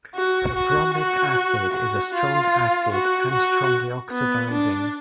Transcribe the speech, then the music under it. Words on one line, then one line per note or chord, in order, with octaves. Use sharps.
Perbromic acid is a strong acid and strongly oxidizing.
F#4
F#4
F#4
F#4
F4
F#4
F#4
B3
D4